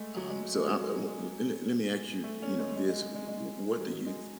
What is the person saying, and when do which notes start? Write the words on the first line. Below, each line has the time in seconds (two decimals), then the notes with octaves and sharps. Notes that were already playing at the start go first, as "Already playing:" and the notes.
Um, so I I want the a le let me ask you, you know, this, w w what do you
Already playing: G#3 A3
0.17 F#3
0.30 G#3
0.43 G#3
0.56 G#3
0.68 F#3
0.81 G#3
0.95 F#3
1.08 G#3
2.24 A3
2.42 C#4
2.59 G#3
2.76 G#3
2.89 G#3
3.02 G#3
3.15 G#3
3.28 G#3
3.80 F#3
4.06 G#3